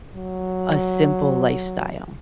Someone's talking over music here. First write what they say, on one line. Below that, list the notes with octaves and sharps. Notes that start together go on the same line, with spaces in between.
a simple lifestyle.
F#3